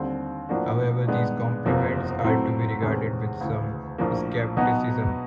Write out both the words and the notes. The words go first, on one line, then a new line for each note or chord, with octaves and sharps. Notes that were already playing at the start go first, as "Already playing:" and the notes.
However, these compliments are to be regarded with some skepticism.
Already playing: D#2 D3 G3 C4
A2 F3 A#3 D4 F#4
G2 D#3 G#3 B3 D4
F#1 E2 C3 F3 A#3
A2 F#3 A3 C4 E4
E2 C3 D#3 G#3 C#4
D2 C#3 E3
A#1 A2 F3 A#3
B2 F#3 B3 D#4